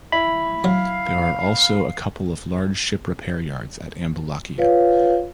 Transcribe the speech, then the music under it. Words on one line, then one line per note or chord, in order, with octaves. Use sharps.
There are also a couple of large ship repair yards at Ambelakia.
E4 B5
F#3 F5
F4 B4 C#5 F5